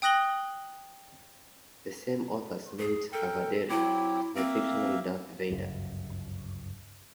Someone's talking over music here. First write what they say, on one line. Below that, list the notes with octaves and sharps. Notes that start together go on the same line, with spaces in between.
The same authors named "A. vaderi" after the fictional Darth Vader.
G5 D#6 F#6 A#6 F#7 G7
G#4
A4 A#4 G5
F#3 C4 E4 G4
A#3 C4 E5 F5
G1 C#2 F#2